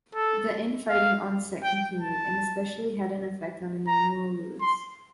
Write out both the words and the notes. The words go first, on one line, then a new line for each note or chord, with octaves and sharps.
The in-fighting on set continued, and especially had an effect on Emmanuel Lewis.
A4
F5
G5
A5
A#5
C6